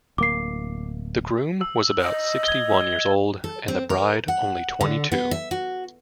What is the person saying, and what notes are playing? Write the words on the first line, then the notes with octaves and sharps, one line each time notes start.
The groom was about sixty-one years old and the bride only twenty-two.
D1 A#3 D6 C7
E6
D#5
G#6 G7
A4
C4
A#4
F#5
D3
B3
E5
F#4